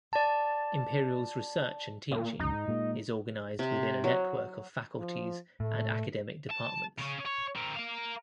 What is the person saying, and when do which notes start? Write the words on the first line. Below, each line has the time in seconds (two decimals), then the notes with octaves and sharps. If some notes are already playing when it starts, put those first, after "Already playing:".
Imperial's research and teaching is organised within a network of faculties and academic departments.
0.13 D5 A5
2.11 A#2
2.40 C#2 F#2 D#4
2.52 G#2
2.68 A#2 G#3 A#3
3.59 C3
4.04 F#3
4.99 F3
5.60 A2 A3
6.50 A5
6.98 C#3 C#4
7.26 C#5
7.56 C4 A#4
7.76 A#4 F5